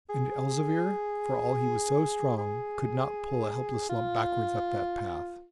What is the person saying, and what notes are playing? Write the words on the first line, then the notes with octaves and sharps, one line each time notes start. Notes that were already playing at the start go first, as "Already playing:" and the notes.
And Elzevir, for all he was so strong, could not pull a helpless lump backwards up that path.
G#4
G#4
F4